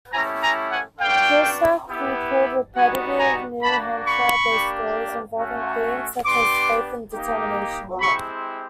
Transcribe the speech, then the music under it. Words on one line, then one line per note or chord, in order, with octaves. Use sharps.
Shostak recalled repetitive New Hampshire-based stories involving themes such as faith and determination.
A3 C#4 E4 G4 G#5 A#5
G#5 A#5
F#5 G#5
B3 D4 F#4 F5 G5
B3 E4 G4
G3 B3 D#4 F#4 F#5 G#5
G#5 A#5
A#3 D4 F#4 A5 B5
B5 C#6
A#3 D4 G4
A3 C#4 F#4
B3 D4 G4 C6 D6
A#3 D#4 G4
G#3 C4 E4 G4 B5 C#6